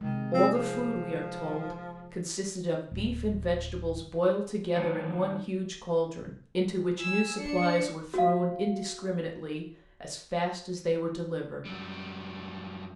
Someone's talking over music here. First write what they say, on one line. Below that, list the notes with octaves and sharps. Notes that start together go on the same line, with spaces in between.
All the food, we are told, consisted of beef and vegetables boiled together in one huge caldron, into which new supplies were thrown indiscriminately as fast as they were delivered.
C3 D#3 G#3
C4 D#4 G#4
F3
D1
A2 D#3 F#3 D#4 C5 C#5
G#5 E6
D4 C#7
F#4 F5
F#2 G3